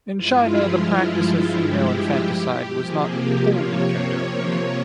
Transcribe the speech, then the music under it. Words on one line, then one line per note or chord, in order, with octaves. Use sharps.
In China, the practice of female infanticide was not wholly condoned.
G2 F3 G#3 E4 F4
G4
C3 F3 A#3 G#4
G4
C#5